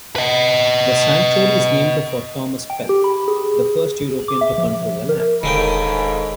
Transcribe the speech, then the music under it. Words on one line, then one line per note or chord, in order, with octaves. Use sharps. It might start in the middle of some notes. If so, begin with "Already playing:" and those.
The Sanctuary is named for Thomas Pell, the first European to control the land.
B4 D#5
G5
G4
B5
G#4
D6
E5
F3
A#4
E1 G#2 D#3 C#4 A4 F5 G5 B5